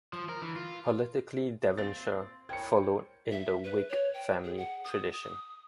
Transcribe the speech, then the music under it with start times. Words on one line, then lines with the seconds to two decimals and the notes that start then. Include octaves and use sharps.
Politically Devonshire followed in the Whig family tradition.
0.13 F3
0.29 A#4
0.41 E3
0.56 F4
1.78 A#2 C4 F4 A6
2.49 A2 A#4 C5 C#5 G5 G#6 C#7
3.32 E5
3.64 B4
3.89 C#5
4.14 G5
4.44 G#4
4.58 F#5
4.85 D#6
5.23 D#6